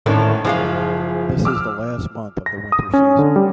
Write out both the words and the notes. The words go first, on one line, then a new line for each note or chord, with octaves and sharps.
This is the last month of the winter season.
G#1 A2 D3 D#3 C#4
F#1 F3 G#3 F4 G#4
D6 E6 F6
A#6
D#6
C#4
D3
G3